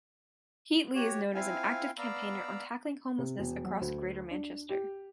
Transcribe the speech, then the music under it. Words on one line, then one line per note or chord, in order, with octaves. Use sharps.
Heatley is known as an active campaigner on tackling homelessness across Greater Manchester.
F#4 G4 C#5
C4 E4 F4 F5 G#5
B3 D5 F5 A#5 B5 E6
C3
E1
F#3
D2
D4
G4